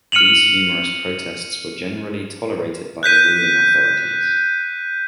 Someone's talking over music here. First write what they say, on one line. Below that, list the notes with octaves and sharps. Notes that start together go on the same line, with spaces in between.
These humorous protests were generally tolerated by the ruling authorities.
F6 C#7 D#7 F7 F#7
F#6 G6 B6 D#7